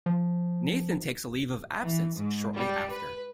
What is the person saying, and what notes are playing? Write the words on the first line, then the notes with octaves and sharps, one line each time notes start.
Nathan takes a leave of absence shortly after.
F3
E3
G#2
G3
B4